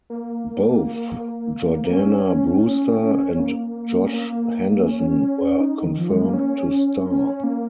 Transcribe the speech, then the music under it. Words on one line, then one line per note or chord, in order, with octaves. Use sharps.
Both Jordana Brewster and Josh Henderson were confirmed to star.
A#3
A#3
C#4
A#3
C#4
A#3
C#4
D#4
D#3
F3
G#3
A#3
C#4
C#4
A#3